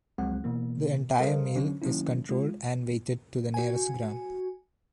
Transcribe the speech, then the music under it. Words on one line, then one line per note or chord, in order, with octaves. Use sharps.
The entire meal is controlled and weighted to the nearest gram.
C#2 F3 F#3 G#3 C4 F#5
B2 E3 A#3
G3 A4 A#4 C5 D#5 F5
D3 F#3 C#4
D#3 F#3 A#3 C#4 E4
G#3 F4
F#4 G#5